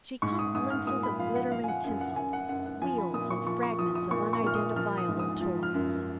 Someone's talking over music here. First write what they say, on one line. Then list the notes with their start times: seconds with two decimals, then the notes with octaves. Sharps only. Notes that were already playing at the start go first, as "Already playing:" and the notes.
She caught glimpses of glitter and tinsel, wheels and fragments of unidentifiable toys.
0.22 G#2 C#6
0.39 D#6
0.54 G#2 D#6
0.70 F6
0.87 A#2 D#6
1.03 B5
1.19 F3 F5
1.35 F#5
1.51 F3 F5
1.64 G#5
1.68 F#5
1.84 F#2 G#5
2.01 F#5
2.16 F#2 G#5
2.33 F#5
2.49 F#2 F#5
2.66 F#5
2.82 F3 G#5
2.98 B5
3.14 A#2 D#6
3.30 C#6
3.46 F3 C#6
3.63 C#6
3.79 F3 D#6
3.95 D#6
4.11 A#2 C#6
4.33 C#6
4.44 A#2 F6
4.55 D#6
4.76 F3 F6
4.98 D#6
5.08 G#2
5.19 D#6
5.41 F3
5.63 F6
5.74 F#2